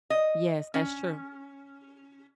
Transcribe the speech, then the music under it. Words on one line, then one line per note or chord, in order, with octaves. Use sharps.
Yes, that's true.
D#5
C#4